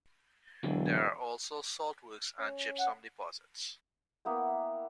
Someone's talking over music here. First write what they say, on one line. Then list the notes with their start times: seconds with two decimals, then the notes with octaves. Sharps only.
There are also salt works and gypsum deposits.
0.63 E1 E2 D3 F#3
2.39 C#4
2.79 F#5
4.25 A#3 B3 E4 G5